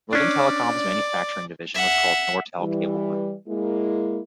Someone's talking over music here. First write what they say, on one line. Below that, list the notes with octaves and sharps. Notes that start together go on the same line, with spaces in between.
Northern Telecom's manufacturing division was called Nortel Cable Group.
C#4 D4 D5
E5 F#5
E3 G3
G#3 A#3 E4